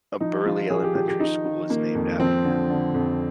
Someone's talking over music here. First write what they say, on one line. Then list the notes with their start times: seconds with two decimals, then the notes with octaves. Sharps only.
A Burley elementary school is named after him.
0.20 F3 D#4
0.46 F3 F4
0.70 F3 G#4
0.83 G4
0.95 F3 G4
1.08 G4
1.20 D#3 D#4
1.45 D#3
1.70 D#3 A#3
1.95 F2
2.20 F3 C4
2.45 D3
2.70 D3
2.94 F2